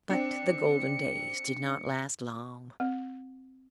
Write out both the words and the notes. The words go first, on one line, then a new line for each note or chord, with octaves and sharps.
But the golden days did not last long.
C4 D4 C#7
C4